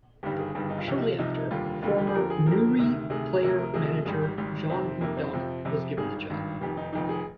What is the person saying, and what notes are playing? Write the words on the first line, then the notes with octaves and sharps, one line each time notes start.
Shortly after, former Newry player-manager John McDonnell was given the job.
G1 G2 D#3 G3 G4
G#4
G1 G2 D#3 G3
D#4
F4
C2 C3 F3 G4
D#4
F4
C2 C3 F3 D#4
D#4
F1 D#2 D3 G3 F4
F1 D#2 D3 G3 F4
G4
G#4
F2 D3 F3 A#4
G#4
F2 D3 F3 A#4
D2 C3 D#3
D2 C3 D#3 G#4
D2 C3 F3 A#4
A#4
D2 C3 F3 G#4
G#1 G#2 G3 G#4
G4
G#1 G#2 G3 G4
F2 C3 D#3 C4
F2 C3 D#3 A#3
C4
F2 C3 F3
F2 C3 F3
G#1 G2 D#3 G#4
G#1 G2 D#3
F1 F2 D#3 G4
D#4
F1 F2 D#3 D#4
G#4